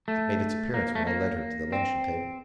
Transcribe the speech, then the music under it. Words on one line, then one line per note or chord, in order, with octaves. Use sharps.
It made its appearance when I led her to the luncheon table.
A3
A#3
A3
A#3
C4